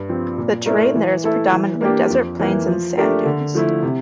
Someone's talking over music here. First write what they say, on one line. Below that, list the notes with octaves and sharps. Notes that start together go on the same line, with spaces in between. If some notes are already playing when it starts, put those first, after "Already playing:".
The terrain there is predominantly desert plains and sand dunes.
Already playing: G2
F3 C4
A#2
A3 E4 A#4 D5
E3
A3 E4 A4
E3
A#3 D4 G4 D5
F2
E3 A#3
F3
A3 D4 G4 A#4
D3
F3 A3 E4
C3